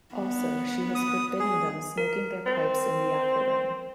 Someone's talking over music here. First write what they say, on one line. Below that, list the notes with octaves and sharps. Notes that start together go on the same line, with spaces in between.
Also, she has forbidden them smoking their pipes in the after-room.
B3
D#6
G#4
A#4
C4